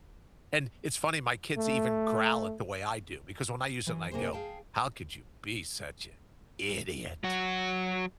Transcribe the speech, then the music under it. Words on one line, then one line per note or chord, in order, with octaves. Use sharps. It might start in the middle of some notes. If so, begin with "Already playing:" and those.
and it's funny my kids even growl at the way I do, because when I use it and I go, "How could you be such an idiot?"
A3
E3
C3 A#3 G#4 C5
G#4 F5 G5 A5
F#3 F#4